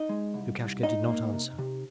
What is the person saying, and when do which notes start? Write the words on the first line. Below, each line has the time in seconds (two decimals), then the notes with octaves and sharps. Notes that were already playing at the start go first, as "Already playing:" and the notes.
Lukashka did not answer.
Already playing: D#4 D#5
0.09 G#3
0.34 C2
0.59 C2
0.83 G#2 D#4 D#5
1.08 A#3
1.33 C3
1.59 C3